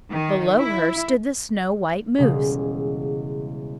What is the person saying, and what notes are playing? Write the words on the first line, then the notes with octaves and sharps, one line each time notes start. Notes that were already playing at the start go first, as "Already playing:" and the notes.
Below her stood the snow white moose.
D#3
E4
E1 C#3 G3 G#3 F5 D#6